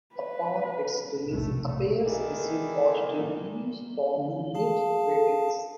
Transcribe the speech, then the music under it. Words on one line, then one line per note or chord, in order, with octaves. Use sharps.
Upon its release, "Appears" received positive reviews from music critics.
B4
F1 B1 A2 A3
D#3 E3 G#3 B3 D4 E4
G#4 F5 A5